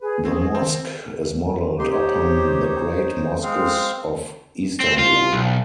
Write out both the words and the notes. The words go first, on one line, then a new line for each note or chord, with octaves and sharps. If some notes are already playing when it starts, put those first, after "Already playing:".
The Mosque is modelled upon the great mosques of Istanbul.
G#4 B4
C4 C#4
D#3 C4
D#4 G4 C6
D#4 C5 C#5
G#3 C4 F5
C4
F4
B1